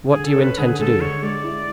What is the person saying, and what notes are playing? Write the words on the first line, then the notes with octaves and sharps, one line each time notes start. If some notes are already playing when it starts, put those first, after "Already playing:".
What do you intend to do?
G#4
D3
A4
C#4 B4
D3 G#4
G#4
G#3 A4
D3 C#5
G#3 D5
E4